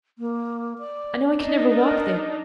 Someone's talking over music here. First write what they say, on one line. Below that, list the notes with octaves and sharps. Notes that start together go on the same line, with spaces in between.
I know I can never walk there.
A#3
D5
D4 D#4
A#4